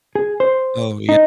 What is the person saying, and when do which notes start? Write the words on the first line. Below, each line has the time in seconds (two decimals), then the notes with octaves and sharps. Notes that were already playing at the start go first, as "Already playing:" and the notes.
Oh, ye
0.15 G#4
0.40 C5
1.09 D#4